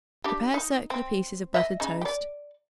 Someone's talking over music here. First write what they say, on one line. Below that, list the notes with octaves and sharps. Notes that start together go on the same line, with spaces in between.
Prepare circular pieces of buttered toast.
D4 G4
D#4
C4
D#5 E5
C#3 D#4
G4 D5